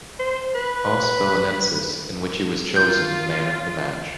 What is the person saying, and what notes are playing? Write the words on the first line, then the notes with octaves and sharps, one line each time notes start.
Os Belenenses, in which he was chosen "Man of the match".
C5
B4
F4 G6